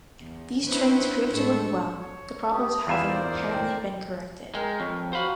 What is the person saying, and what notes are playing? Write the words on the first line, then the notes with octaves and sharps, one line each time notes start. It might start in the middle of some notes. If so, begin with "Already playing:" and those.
These trains proved to work well, the problems having apparently been corrected.
E2
B3 C#4 D4 E4 B4 C5
A2 G#3 D4 A4 C#6 E6
C#5
B3 G4 D#6
E2 F4 B4 E5 F5 G#5
A#4 C5 D5
G5
G#3 A#4 G5
F2 C#5
F#4 C5 F5 F#5 B5